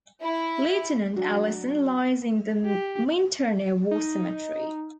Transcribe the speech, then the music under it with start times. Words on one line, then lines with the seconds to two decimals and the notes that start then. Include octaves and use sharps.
Lieutenant Allison lies in the Minturno War Cemetery.
0.24 E4
1.16 F#3 D4 F#4
2.66 G4
3.91 D#4